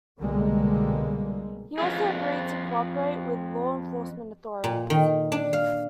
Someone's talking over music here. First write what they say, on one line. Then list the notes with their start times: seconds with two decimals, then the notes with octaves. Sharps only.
He also agreed to cooperate with law enforcement authorities.
0.19 C2 B2 D3 G3 G#3 A#3
1.78 F2 F4 G#4
4.64 A#2
4.90 D#3
5.32 D4
5.53 F5